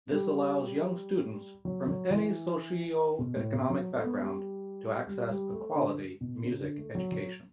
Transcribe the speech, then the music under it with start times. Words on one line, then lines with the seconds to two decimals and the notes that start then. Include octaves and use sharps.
This allows young students from any socio-economic background to access a quality music education.
0.11 G3
1.65 F#3
1.88 F#3
2.10 E3
3.19 B2
3.36 A2
3.53 B2
3.70 F#3
3.96 A3
4.04 B3
4.21 G3
5.07 G3
5.30 G3
5.52 A3
5.75 D3
6.21 B2
6.43 C#3
6.61 D3
6.78 A3
6.95 F#3
7.12 F#3